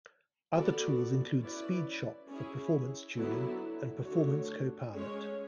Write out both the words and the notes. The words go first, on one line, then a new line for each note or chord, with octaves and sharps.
Other tools include Speedshop for performance tuning, and Performance Co-Pilot.
B3 F#4 A4 D5
C#4 E4 B4 D5
C#4 E4 G#4
D3 F#3 B3 E4 A4
D3 A3 D4 F#4 C#5
G#3 C#4 G#4 C#5